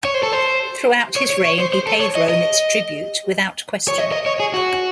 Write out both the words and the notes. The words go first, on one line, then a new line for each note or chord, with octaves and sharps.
Throughout his reign he paid Rome its tribute without question.
C#5
C5
A4
C5
C#5
C#5
C#5
C5
C5
A4
C#5
D#5
D#5
C#5
D#5
D#5
C#5
G#4
F#4